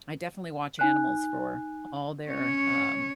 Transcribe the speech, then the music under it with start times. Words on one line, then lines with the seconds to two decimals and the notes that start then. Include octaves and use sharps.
I definitely watch animals for all their, um,
0.79 D#4 G#5 F#6
2.28 C#4 C#5